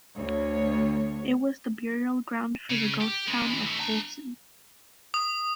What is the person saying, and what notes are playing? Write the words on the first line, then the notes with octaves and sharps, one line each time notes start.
It was the burial ground for the ghost town of Coulson.
D2 C#5
C#3
G4
C#3 G#3
D#2 E3
A3 D#4
D4 A#5
D#6